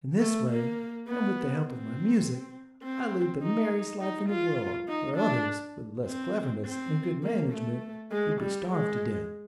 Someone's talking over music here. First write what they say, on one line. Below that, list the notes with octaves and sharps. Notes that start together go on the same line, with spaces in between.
In this way, and with the help of my music, I lead the merriest life in the world, where others, with less cleverness and good management, would be starved to death.
A3
A#3
B3
C4
C4
D#4
D#4
F4
D#4
D4
C4
C4
A#3
A3
G#3
G3
G#3